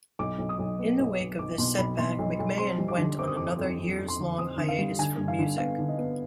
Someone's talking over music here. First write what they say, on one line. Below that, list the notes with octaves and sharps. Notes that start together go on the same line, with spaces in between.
In the wake of this setback, McMahon went on another years-long hiatus from music.
B1 D6
B1
D#6
B1
B3
B1
B1
B1 D6
B2 C6
B1 B5
B2 C6
B1
B1
C4 C6
G3
D6
D3
C4 D6
D#6
F2 D6
D6
F2
F2
F2
C6
D3
C4 D#6
D3
F5
G3
D3 G#5
G2
F5
D3
B3 F5
D3
D#5
B3